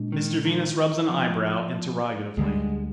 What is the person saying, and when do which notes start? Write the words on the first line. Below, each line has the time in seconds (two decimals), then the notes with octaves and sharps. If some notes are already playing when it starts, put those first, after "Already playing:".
Mr Venus rubs an eyebrow, interrogatively.
Already playing: A#2 G#3 D4
0.12 D#3
0.45 D#3
1.09 F3
2.37 D2 D3 G3 G#3